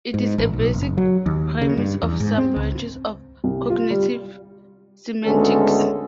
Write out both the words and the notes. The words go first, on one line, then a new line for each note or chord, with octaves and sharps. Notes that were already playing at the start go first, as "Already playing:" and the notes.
It is a basic premise of some branches of cognitive semantics.
G#2
A1
B1
F#1
F#3
D#2
C#3
G2
E2
G#2
C4
C#2
C2
F4
G3
G#1 D2 G#3 B3 C#4 A4